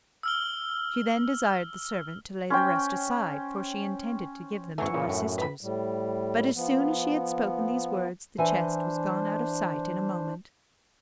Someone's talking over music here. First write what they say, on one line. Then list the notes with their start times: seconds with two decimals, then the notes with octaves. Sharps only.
She then desired the servant to lay the rest aside, for she intended to give them to her sisters; but, as soon as she had spoken these words, the chest was gone out of sight in a moment.
0.23 E6 F6 G7
2.50 C#4 C5 G5
4.78 G#1 E3 F#3 A3 C#6
4.93 A#2 C#3 A#3
5.07 F#2 A2
5.38 B4 B5
5.61 A2 G3
6.56 F3 B3
8.38 E3 D4 C5 G#5